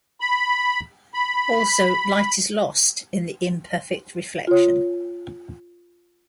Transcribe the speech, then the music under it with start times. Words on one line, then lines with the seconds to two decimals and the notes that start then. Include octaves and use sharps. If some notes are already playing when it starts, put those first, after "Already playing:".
Also, light is lost in the imperfect reflection.
0.21 B5
1.14 B5
4.47 F4 C#5